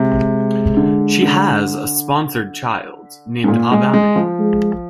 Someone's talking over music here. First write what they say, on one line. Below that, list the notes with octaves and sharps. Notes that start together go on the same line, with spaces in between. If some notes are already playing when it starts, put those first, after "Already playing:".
She has a sponsored child named Abanne.
Already playing: C3 G#3
D3
D3
G#2
A#2
G#3
G#3
F3
G#3